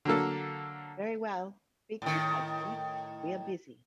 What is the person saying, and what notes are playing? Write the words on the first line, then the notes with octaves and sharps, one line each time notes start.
Very well — be quick, Hudson; we are busy.
D3 F#3 A#3 A4
A2 D#3